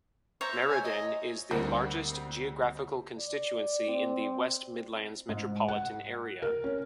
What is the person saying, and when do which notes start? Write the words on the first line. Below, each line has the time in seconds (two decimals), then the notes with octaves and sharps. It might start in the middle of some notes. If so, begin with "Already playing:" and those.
Meriden is the largest geographical constituency in the West Midlands metropolitan area.
0.41 C5 C#5 E5 A#5
0.68 G#5
0.83 D#5
1.51 D2 D3 G3 A#3 C4 F#5
3.19 D5
3.89 C4
5.29 G#2
5.68 F#5
6.42 A#4
6.64 C#4